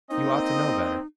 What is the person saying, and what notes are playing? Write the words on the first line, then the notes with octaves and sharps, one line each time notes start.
You ought to know better.'
A#3 C4 D#4 D#5